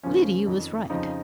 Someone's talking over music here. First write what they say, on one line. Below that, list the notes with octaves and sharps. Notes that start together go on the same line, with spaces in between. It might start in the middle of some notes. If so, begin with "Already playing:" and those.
Liddy was right.
D#2 C#3 F3 C#4
F2 D#3
F2 C#3 F3 D#4